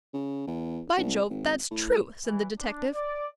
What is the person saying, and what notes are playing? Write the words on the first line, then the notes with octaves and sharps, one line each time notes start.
"By Jove! that's true," said the detective.
C#3
E2
C2
G#1
A2
E3
D4
D5